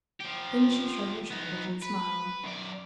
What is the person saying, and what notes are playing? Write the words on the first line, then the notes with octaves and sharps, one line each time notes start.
Then she shrugged her shoulders and smiled.
F3 G4
B3 D#4
B4
F#2 D5